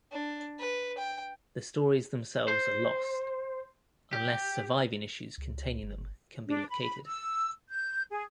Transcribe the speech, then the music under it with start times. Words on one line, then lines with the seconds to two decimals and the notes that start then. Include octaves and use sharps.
The stories themselves are lost, unless surviving issues containing them can be located.
0.12 D4
0.59 B4
0.98 G5
2.48 C5
4.13 G4
5.38 C#2
5.82 G1
6.47 D4
6.69 B5
7.06 E6
7.68 G6
8.10 G#4